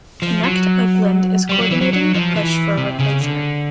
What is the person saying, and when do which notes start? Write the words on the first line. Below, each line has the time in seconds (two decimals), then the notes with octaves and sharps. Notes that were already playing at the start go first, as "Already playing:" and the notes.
ConnectOakland is coordinating the push for a replacement.
0.22 F3
0.43 F#3
1.49 G3
1.61 F#3
1.71 E3
1.81 F#3
1.93 F#3
2.15 F3
2.36 E3
2.77 C3
2.99 C#3
3.20 D3